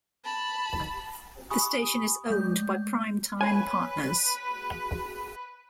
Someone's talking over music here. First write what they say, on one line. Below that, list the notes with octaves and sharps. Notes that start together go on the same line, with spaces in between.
The station is owned by Prime Time Partners.
A5 B5
G4 G#5 B5 C#6 D#6
G#3 A3 G6
B4 C#5 G#5